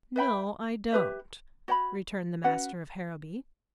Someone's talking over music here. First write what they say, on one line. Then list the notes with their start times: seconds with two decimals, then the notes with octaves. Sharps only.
"No, I don't," returned the master of Harrowby.
0.16 B4 E5 G5 B5
0.92 G4 B4 E5
1.68 F#4 C#5 G5 B5
2.44 C#4 F#4 B4 F#5